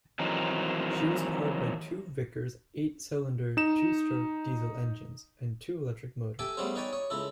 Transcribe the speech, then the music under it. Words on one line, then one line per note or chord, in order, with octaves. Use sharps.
She was powered by two Vickers eight-cylinder two-stroke diesel engines and two electric motors.
D#3 E3 F#3 C4 D#4
D#4 E7
G4 A4 E5 G5 G#5
G3 A3 B3 C#4 G#4 C5
D#4 B4 C#5 D5 G5 G#5
C#5 D#6
C#2 C#3 E4 A4